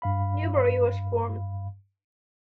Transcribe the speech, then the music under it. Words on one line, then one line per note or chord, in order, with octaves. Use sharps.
Newbury was formed.
G2 F5 B5